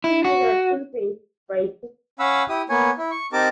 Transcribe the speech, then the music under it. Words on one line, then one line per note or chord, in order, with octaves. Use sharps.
He majored in Creative Writing.
E4
F#4
C#4 F5 F#5 B5 E6
E4 G4 D#6
A#3 B3 C#5 G#5
E4
C#6
C4 D#4 G4 A#4 A5 D6